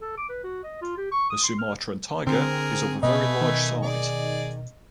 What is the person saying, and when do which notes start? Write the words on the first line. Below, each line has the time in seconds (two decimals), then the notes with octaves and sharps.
The Sumatran tiger is of a very large size.
0.02 A4
0.18 D6
0.29 B4
0.44 F#4
0.64 D#5
0.82 F4
0.98 G4
1.12 C#6
1.30 D#6
1.43 C6
1.58 F6
2.27 D3 C4 G#4 A#4
3.03 B2 A3 B3 B4 D#5 G#5
3.41 D#3
3.83 G#4 D5